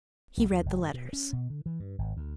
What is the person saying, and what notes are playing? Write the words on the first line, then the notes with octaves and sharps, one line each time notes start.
He read the letters.
B1
D#2
F#1
G2
B2
C#4
B2
D3
E3
G2
G#1
D2